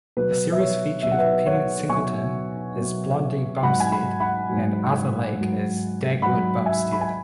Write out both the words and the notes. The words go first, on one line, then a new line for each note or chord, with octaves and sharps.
The series featured Penny Singleton as Blondie Bumstead and Arthur Lake as Dagwood Bumstead.
B2 F#3 B4
E5
C#5
B2 F#3 E5
F#5
B4 E5
C#5 F#5
B2 F#3 G#5 C#6
B2 F#3
G#2 F#3 F#5 B5
G#5
F#5 B5
F#5 B5
G#2 F#3
G#2 F#3
G#2 F#3 F#5 B5
E5 G#5
B5
G#5